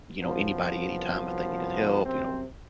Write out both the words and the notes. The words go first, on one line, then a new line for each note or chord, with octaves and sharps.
you know, anybody anytime if they needed help, you know
C2 F#2 F3 B3
F#2 C3 C4